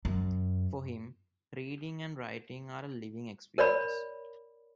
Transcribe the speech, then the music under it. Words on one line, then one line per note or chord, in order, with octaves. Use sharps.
For him, reading and writing are a living experience.
F#2
A#4 C#5 D5 B5